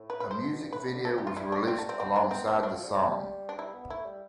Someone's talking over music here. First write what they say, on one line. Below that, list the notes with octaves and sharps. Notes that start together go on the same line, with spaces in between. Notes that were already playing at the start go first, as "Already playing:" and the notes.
A music video was released alongside the song.
Already playing: A2
B4
B4
C5
B2
B2
G2
A2 B4
B2
D3
C3 A4
D3 G4
E3 F4
G3 E4
D4
C4
A3
C4
B3 C4
D4
B3 C4
D4
B3
A3 D4
F3
G3
G3
D4
G3 E4
B3
A3 E4
G3